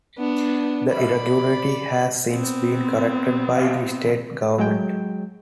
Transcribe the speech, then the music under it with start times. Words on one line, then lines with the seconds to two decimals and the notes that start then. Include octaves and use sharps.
The irregularity has since been corrected by the State Government.
0.18 B3 D4
0.93 D5 B5
2.30 B3 C4
4.58 F#3 G#3 G5